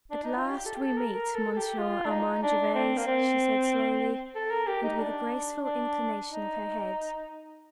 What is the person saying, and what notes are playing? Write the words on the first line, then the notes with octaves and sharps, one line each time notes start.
"At last we meet, Monsieur Armand Gervase!" she said slowly and with a graceful inclination of her head.
D4
D#4
F4
G4
A4
G4
A4
A#4
A#4
A4
A4
G4
F4
D4
D#4
D4
C4
A#3
C4
A4
A#4
G4
D#4
D4
D4
D#4